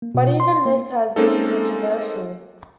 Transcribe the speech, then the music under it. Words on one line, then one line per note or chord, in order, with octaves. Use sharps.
But even this has been controversial.
A#3
B2
F4
C6
A#3
G#3 A#3 C4 C#4 D#4 A4